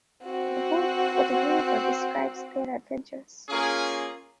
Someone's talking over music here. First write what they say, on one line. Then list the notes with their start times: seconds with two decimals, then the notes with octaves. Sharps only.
The book, "Fatu Hiva", describes their adventures.
0.24 C4 F#4
3.49 A#3 C#4 F4 G#4